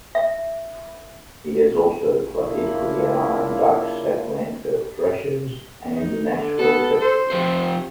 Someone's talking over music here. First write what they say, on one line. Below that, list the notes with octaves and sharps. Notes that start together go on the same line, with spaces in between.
He has also played for the Anaheim Ducks, Atlanta Thrashers and Nashville Predators.
E5
C#3 A#3 D4 E4 F4
D#4
D3
B3 A4
C5
F3 C4 G4 C5